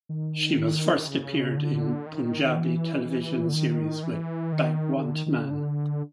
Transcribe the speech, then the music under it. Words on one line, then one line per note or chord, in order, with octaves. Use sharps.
She was first appeared in Punjabi television series with Bhagwant Mann.
D#3
C#3
D3
D#3
D#3
E3
E3
D3
D#3
E3
D#3
D#3
D3
D#3
D#3
D3
C#3
D3